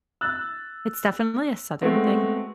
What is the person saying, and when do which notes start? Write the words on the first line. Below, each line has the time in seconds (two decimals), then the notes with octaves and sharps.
It's definitely a Southern thing.
0.21 E6 F#6 A6
1.81 G#3 A3 B3 C4 F#4